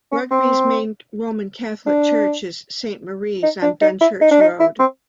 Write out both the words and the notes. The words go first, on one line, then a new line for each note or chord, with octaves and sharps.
Rugby's main Roman Catholic church is Saint Maries on Dunchurch Road.
C#4
C4
D4
D#4
D4
D#4
E4
D#4
D4
D#4
E4
C4